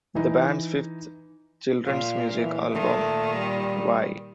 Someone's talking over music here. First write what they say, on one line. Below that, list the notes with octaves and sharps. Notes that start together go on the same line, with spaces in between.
The band's fifth children's music album, Why?
E3 D#4
A#2 F4
E3
A#2 D#3 A3
G3